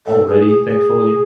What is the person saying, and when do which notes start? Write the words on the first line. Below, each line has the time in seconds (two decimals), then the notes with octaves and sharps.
already, thankfully.
0.06 A4
0.27 G#4
0.47 G#4
0.67 G#4